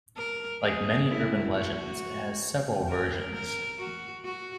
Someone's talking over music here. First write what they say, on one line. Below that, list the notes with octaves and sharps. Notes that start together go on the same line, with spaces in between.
Like many urban legends, it has several versions.
A#4
G#4
E4
F#4
A#4
A#4
F#4
F#4